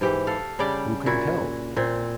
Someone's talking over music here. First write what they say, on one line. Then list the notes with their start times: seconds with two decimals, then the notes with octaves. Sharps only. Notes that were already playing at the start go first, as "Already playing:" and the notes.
Who can tell?
0.01 G#2 E3 G4
0.27 A4 F5
0.59 C#3 G3 G4 D5
1.06 A#2 E4 F#4
1.76 A#2 C4